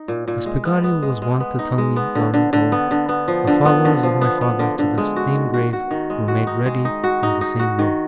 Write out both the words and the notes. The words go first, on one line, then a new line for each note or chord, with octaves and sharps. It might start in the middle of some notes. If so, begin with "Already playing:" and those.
As Peggotty was wont to tell me, long ago, the followers of my father to the same grave were made ready in the same room.
Already playing: D#4
A#2
A#2
G#3
B3
B3
G#3
G#3
B3
D#4
G#3
B3
D3
D3
D3
B3
D3
B3
F3
D3
B3
D3
F3
B3
B3
D3
D3
G#3
F#4
D#3
F#4
F#4
D#3
G#3
F#4
D#4
G#3
D#4
F#4
D#4
D#4
F#4
D#3